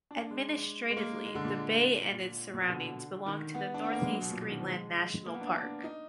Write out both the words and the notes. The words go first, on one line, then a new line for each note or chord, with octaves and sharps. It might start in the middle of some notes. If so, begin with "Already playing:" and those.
Administratively the bay and its surroundings belong to the Northeast Greenland National Park.
D4
D4
G#3
G#3
A#3
G#3
D3
A#2
A#2
A#2
B2
D3
D#3
B3
D4
B3
A#3
G#3
F#3
B2
A#2
B2
D#3
F3
G#3
A#3
B3
D4
D4
D#4